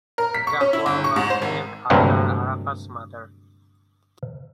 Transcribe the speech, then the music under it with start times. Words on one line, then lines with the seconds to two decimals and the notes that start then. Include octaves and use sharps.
Zahwa was named after Arafat's mother.
0.18 A#4
0.34 B6
0.47 C#6
0.61 C#4
0.73 E4
0.86 G1
1.04 C#6
1.16 G#2
1.30 C5
1.42 G#1
1.90 D2 G2 C3 F#3 A#3